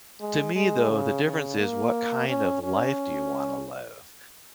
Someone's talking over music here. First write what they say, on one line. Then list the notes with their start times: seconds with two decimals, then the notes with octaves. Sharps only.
To me, though, the difference is what kind of life do you wanna live.
0.21 G#3
0.56 G#3
0.91 C#3
1.25 C#3
1.59 A#3
2.28 C#4
2.63 C#4